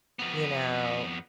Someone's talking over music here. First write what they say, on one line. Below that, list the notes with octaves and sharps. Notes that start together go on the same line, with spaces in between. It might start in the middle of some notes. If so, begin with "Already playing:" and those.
you know,
F2 B3